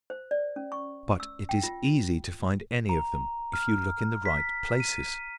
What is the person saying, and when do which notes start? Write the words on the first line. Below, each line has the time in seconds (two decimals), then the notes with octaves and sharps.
But it is easy to find any of them if you look in the right places.
0.10 C5
0.31 D5
0.56 C#4
0.72 C#6
1.20 E6
1.49 G5
1.63 F4
2.89 A#5
3.53 F6
4.25 B6
4.80 D#7